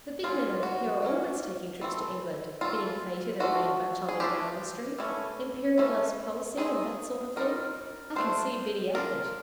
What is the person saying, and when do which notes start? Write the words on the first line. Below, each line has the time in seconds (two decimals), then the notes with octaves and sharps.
The big men over here are always taking trips to England, being feted and made much of in Downing Street--Imperialist Policy and that sort of thing--I can see Biddy at it.'
0.24 F#3 A#3 C#4 F4
0.63 F#4
1.02 F#3 A#3 C#4
1.81 E3 A3 C4
2.61 E3 A3 C4 F4
3.40 F3 A3 D4 F#4
4.09 G#4
4.20 F3 A3 D4 G4
4.99 E3 A3 C#4
5.78 E3 A3 C#4
6.57 D#3 G3 C4 D#4 G#4
7.36 D#3 G3 C4 D#4 A#4
8.16 F3 A3 D4 C5
8.95 F3 A3 D4 A#4